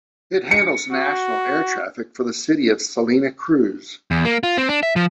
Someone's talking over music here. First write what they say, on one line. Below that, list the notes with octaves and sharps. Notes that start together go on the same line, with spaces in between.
It handles national air traffic for the city of Salina Cruz.
C#7
F#4
E2
A#3
F4
C4
D4
E5
F3